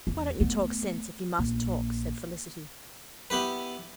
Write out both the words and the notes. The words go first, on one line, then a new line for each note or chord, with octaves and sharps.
"Why don't you talk sense, if you must talk?" said Felicity.
E2 E3
A3 B3
A#1
B3 E4 G4 B4